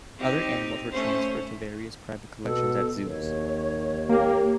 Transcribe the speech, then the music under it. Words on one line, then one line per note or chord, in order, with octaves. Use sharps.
Other animals were transferred to various private collections and zoos.
C4 D#4 G4
A3 C#4 C5
B2 A4
D#2 C#5
A#3 G4